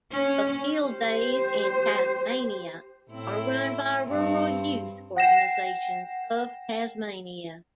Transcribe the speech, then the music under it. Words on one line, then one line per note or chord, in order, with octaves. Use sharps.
The Field days in Tasmania are run by Rural Youth organisation of Tasmania.
C#4
G4 C5
A2 C4 E4
G2 C4
F#5 G5 A#6 C7 E7